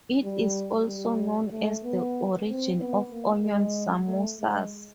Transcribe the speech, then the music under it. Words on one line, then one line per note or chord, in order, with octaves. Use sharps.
It is also known as the origin of onion samosas.
G3
G3
A3
B3
C4
B3
A#3
G#3
A3
G#3